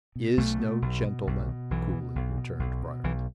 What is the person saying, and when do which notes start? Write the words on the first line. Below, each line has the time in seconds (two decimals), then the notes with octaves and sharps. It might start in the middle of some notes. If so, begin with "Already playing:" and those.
"Is no gentleman," coolly returned Briarly.
0.16 B2
0.37 B1 A3
0.60 B2
0.82 B1
1.04 B2
1.27 B1
1.48 B2
1.70 B1 E3
1.93 B2
2.15 B1
2.37 B2
2.59 B1
2.82 B2
3.04 B1 E3